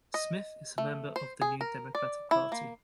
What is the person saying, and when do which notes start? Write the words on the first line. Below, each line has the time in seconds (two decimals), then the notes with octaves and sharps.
Smith is a member of the New Democratic Party.
0.14 D#5
0.78 A3
1.16 C5
1.42 G#4
1.61 A#4
1.95 D5
2.31 E4
2.52 A#3